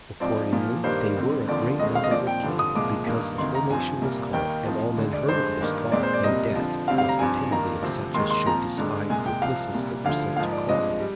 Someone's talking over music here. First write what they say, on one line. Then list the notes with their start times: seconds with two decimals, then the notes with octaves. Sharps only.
Accordingly, they were a great number that came, because the whole nation was called, and all men heard of this call, and death was the penalty of such as should despise the epistles that were sent to call them.
0.20 G#2 F3 C4 D5
0.53 A#2 F3 A#3
0.84 G2 D#3 G3 A#3 C5
1.16 F2 D3 G3 C4
1.47 D#2 D3 F3 C4 D5
1.80 D#2 D3 G#3 C4 D#5
1.95 F5
2.04 D#5
2.11 A#2 F3 C4 D5
2.27 G5
2.43 G2 D3 F3
2.59 D#6
2.75 C2 A#2 F3 G#3 D6
3.07 G2 D#3 A#3
3.38 D2 C3 D#3 A#3 C6
3.55 A#5
3.70 G2 F3 C4 G#5
4.02 C2 A#2 G3 A#3
4.33 D#2 D#3 A#3 G5
4.65 G#2 F3 C4
4.97 D2 D3 G#3
5.13 D5
5.29 G2 D3 G#3 C5
5.61 G2 D#3 A#3
5.92 A#2 G#3 C4 D5
6.03 C5
6.13 D5
6.24 C2 A#2 G3 C4 D#5
6.55 F2 D3 F3
6.88 D2 C3 G3 C4 F5
6.98 F5
7.09 A#5
7.19 G2 F3 C4 G#5
7.51 G2 D#3 A#3 A#5
7.82 D2 C3 F3 C4
8.14 D#2 D#3 G#3 C6
8.31 C6
8.46 A#2 F3 C4 A#5
8.78 G2 D3 G#3
9.10 C2 A#2 G#3 G#5
9.26 G5
9.42 C2 C3 F3 F5
9.73 C2 A#2 G3
10.05 D2 D3 F3 F5
10.37 G#2 F3 A#3 F5
10.52 D5
10.69 G2 F3 G#3 C4 D#5
11.00 G3